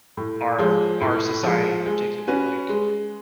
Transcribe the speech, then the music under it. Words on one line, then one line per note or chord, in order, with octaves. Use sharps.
our our society in particular like,
A2
F3 G#3
A2
F3 G#3
G#3
C#4 F#4 B4
G#3